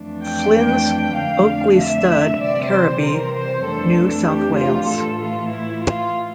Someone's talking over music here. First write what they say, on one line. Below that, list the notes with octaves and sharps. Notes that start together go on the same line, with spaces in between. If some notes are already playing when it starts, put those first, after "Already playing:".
Flynn's Oakleigh Stud, Kerrabee, New South Wales.
Already playing: F2 E3 A3 D4
G5
G5
F2 D3 A3 D4 F5
E5
C3 E3 G3 C4 D5
C5
A#4
C5
F2 E3 A3 D4 A4
G4
F4
A2 E3 A3 A4
F4
E4
F4